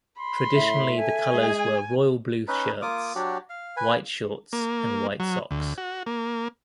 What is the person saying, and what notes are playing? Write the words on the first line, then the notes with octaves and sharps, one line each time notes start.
Traditionally the colours were Royal blue shirts, White shorts and White socks.
B5 C6
A2 E5
A4 G#5
G#3 G#4
C#4 D#4 B4
A#3 F4 D6 D#6
F#3 D4 F#4 G4
F5
B4 G#5
A#3
F#3
D2
F#4
A#3